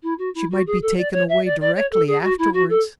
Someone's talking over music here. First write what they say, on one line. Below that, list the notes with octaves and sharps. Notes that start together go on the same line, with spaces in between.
She might be taken away directly afterwards.
E4
F#4
E4
F#4
G#4
A4
D5
C#5
E5
D5
D5
C#5
A4
G#4
F#4
E4
F#4
A4